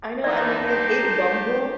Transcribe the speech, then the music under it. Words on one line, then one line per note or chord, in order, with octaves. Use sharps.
I know, and, like, I hate Bumble.
D#2 E3 F3 D4 D#4 D5 A#5
G4 C5